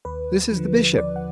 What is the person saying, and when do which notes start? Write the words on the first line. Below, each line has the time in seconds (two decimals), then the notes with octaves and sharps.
This is the Bishop.
0.05 D#2 B4
0.52 D3 F3
0.98 D#2 D5
1.16 F#5